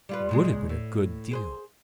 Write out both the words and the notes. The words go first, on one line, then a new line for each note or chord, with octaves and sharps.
It would have been a good deal.
G3 F4 B4
A#2 C#3 G#3
A2
G#4 B4 C5